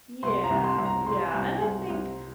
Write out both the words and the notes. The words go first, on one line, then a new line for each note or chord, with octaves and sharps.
Yeah, yeah. And I think
C2 C6
A#5
C2
C6
C2
A#5
C3 C6
C2
C2
C2